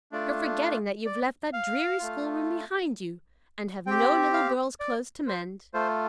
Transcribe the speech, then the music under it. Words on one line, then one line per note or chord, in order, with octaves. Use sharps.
"You're forgetting that you've left that dreary schoolroom behind you, and have no little girls' clothes to mend."
A3 D4 F4 D5
D5
F5
A3 F4
C4 G4 G5
F5
D5
C5
A3 F4 C5